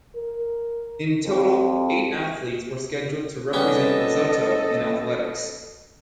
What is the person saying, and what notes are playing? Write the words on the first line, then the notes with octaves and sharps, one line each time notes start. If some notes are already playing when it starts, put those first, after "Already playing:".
In total eight athletes were scheduled to represent Lesotho in athletics.
A#4
F2
G3 B3 C#4 A4 D#5